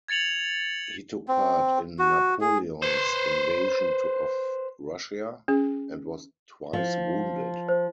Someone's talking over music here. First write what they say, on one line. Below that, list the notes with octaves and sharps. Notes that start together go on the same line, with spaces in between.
He took part in Napoleon's invasion of Russia, and was twice wounded.
G#6 A6 C#7 F7 F#7
C4
F#4
G#4
B4 C5
C#4 G#4
F3
C5